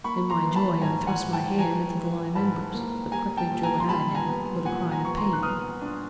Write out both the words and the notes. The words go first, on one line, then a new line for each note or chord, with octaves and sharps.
In my joy I thrust my hand into the live embers, but quickly drew it out again with a cry of pain.
A#3 B5 C#6
A#5 C6
E3
A5 B5
G#2 G#5 A#5
F#5 G#5
G#2
G5 A5
E3 G#5 A#5
E3
G#2 A5 B5
A#3
G3 G#5 A#5
G5 A5
A#2
G#5 A#5
C6
G3 A5 B5
G#5 A#5
B3
A#2 F#5 G#5
G#5 A#5
B3 C#6
A#5 C6
F#6
B3 D#6 F6
D4